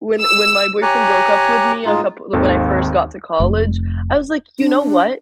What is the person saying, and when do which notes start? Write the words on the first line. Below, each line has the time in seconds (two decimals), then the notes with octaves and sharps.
When when my boyfriend broke up with me a couple when I first got to college, I was like, "You know what?
0.21 E6
0.82 G4 C#5 G#5 A#5 F#6
1.85 A2 G#3 D#4 F4
2.33 G#1 D#2 D#3 C4 A4
3.40 F1
4.60 D4